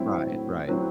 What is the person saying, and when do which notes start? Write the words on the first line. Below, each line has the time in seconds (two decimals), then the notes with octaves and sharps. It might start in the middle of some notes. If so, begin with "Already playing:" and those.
Right, right.
Already playing: A2 F#3 C4 E4
0.30 A2
0.68 F#3 C4 E4